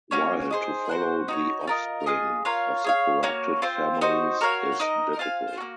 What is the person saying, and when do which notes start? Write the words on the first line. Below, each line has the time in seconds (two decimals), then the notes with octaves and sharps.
While to follow the offspring of the corrupted families is difficult.
0.11 A#3 C#4 F#4 C#5
0.50 D#4 G#4 C5
0.89 F#4 C5 F#5
1.28 D#4 F#4 C#5
1.67 F4 A#4 D#5
2.06 F4 G#4 D#5
2.45 F4 A#4 C#5 F5
2.84 G#4 C#5 F5
3.23 A#3 C#4 F#4 C#5
3.62 C4 F4 C5
4.01 D#4 F#4 C5
4.41 F#4 A#4 C#5 F5
4.80 D#4 A#4 D#5
5.19 F4 C5 F5 G#5
5.58 A#3 C#4 F#4